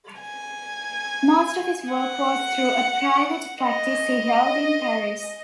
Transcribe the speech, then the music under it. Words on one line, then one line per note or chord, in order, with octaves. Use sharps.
Most of his work was through a private practice he held in Paris.
G#5
F#5
D#5